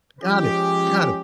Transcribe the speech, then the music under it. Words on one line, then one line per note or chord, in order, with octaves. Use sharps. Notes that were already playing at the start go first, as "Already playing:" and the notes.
Got it, got it.
F3 G#3 C#4 G4